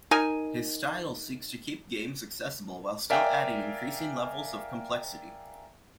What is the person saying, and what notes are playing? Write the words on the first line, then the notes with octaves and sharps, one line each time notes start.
His style seeks to keep games accessible while still adding increasing levels of complexity.
D#4 A#4 G#5
A#4 D5 E5 F5 G5 G#5